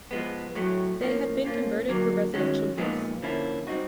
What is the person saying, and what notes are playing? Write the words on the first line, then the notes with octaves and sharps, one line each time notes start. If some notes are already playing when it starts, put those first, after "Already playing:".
They have been converted for residential use.
F3 G#3 B3
A2 F#3 A3
A2 F3 A#3 C#4
A#2 F3 A#3 C#4 F4
D3 F#3 A#3
D#3 G#3 C#4 F#4
A#2 F3 G#3 B3 D#4
D3 F3 A#3 C#4 E4
G3 C4 D#4 F#4